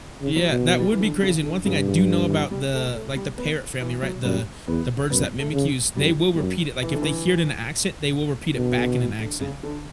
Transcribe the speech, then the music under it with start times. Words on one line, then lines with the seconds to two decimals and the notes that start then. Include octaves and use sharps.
Yeah, that would be crazy, and one thing I do know about the, like, the parrot family, right, the the birds that mimic you, is they will repeat it, like, if they hear it in an accent, they will repeat it back in an accent.
0.21 C#3
0.36 F#3
0.50 B2
0.79 G3
0.92 E3
1.01 D3
1.22 C#3
1.43 D3
1.65 G2 C#3
1.87 C#3
2.08 D3
2.30 E3
2.51 G3
2.74 A3
2.95 A3
3.16 G3
3.38 B3
3.81 E3
4.03 F#3
4.24 F#2 G3
4.67 E2 B3
5.10 F#2 B3
5.39 A3
5.53 C#3
5.96 F#2 G3
6.35 G3
6.40 F#2 F#3
6.83 E3
6.93 D3
7.02 E3
8.55 B2 D3
8.77 D3
8.99 E3
9.20 D3
9.41 C#3
9.63 D3